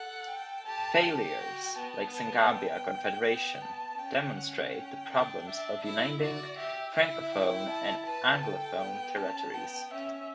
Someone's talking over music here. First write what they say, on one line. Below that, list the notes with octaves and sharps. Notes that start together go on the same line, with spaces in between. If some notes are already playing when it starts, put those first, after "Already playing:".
Failures like Senegambia Confederation demonstrate the problems of uniting Francophone and Anglophone territories.
Already playing: A4 F#5
G5
G4 A5
G4 G5
F#4 G5
B3 A5
A5
G5
B3 G5
A5
C#4 G5
F#5
G5
D4
D4 E5
E4 E5
F#4 D5
G4 E5
E4 E5
G5
A5
B4 A5
A4 G5
B3
C#4 A5
B3 G5
C#4 E5